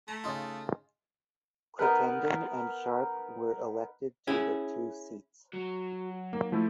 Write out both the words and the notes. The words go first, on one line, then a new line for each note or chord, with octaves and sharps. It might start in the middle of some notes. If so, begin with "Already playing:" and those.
Crittenden and Sharp were elected to the two seats.
A3 A#5
C#3 D#4 F4
B3 D#4 A#4 B4
C#4 E4 G#4
F#3 F#4
A#3 D#4
F3 A3 E4